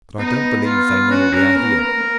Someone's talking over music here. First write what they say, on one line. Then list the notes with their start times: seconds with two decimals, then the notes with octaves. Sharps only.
But I don't believe they know we are here.
0.18 B3 D#4
0.65 F4
1.10 C#4 F#4
1.33 C#4 A#4
1.55 B3 A#4
1.78 A#3 A#4
2.01 A#3